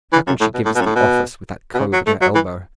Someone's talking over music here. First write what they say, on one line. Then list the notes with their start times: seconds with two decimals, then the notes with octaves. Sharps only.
"How can she give us the office with that cove at her elbow?"
0.13 E3
0.27 F#2
0.40 A2
0.54 B2
0.65 A2
0.75 B2
0.81 F#2
0.86 A2
0.96 B2
1.74 B2
1.79 C#3
1.93 F#3
2.07 A3
2.22 F#3
2.35 E3